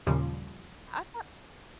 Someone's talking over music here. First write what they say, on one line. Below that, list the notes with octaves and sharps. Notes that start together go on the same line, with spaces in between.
I thought
D#2 A#2 C#3 F3 G3